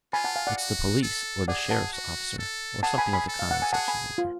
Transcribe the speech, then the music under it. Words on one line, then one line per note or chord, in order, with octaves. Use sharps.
"It's the police, or the sheriff's officer, or something of the kind," said Cheesacre.
F4 G#5 B5
F#5 A5
F5 G#5
D5 F#5
F#4
A4
G#4 D5 F#5
F#5 A5
F#4
A4
G#4 F#5 A5
G#5 B5
G#5 B5
A4
F5
F#5
G#5
G#4 F#5 A5
G#5 B5
F4